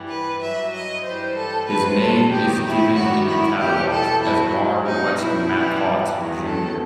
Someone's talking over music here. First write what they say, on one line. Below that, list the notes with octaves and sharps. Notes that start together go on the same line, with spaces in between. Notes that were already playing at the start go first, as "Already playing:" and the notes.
His name is given in the catalogues as R. Westmacott, Junr.
Already playing: G2 E3 G3
B4
G2 F#3 E5
D#5
G2 E3 G3 C5
A4
E2 C3 F#3 B4
A4
E2 D#3 F#3 G4
E4
G2 D#3 G3 F#4
E4
E2 B2 G3 G4
A4
G2 F#3 E4
B2 F#3 D#4
E4
G2 E3 G3
E2 D#3 F#3
A4